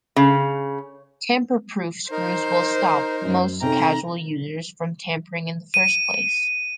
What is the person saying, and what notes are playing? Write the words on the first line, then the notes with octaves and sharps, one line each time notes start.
Tamper proof screws will stop most casual users from tampering in the first place.
C#3
D#4 A#4 C5
F#2
C3 C#4 D#4 A4 G5 A#5
D#7